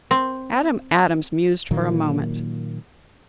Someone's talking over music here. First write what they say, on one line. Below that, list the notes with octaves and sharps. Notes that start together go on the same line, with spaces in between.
Adam Adams mused for a moment.
C4
A#2 D#3 F#3 A#3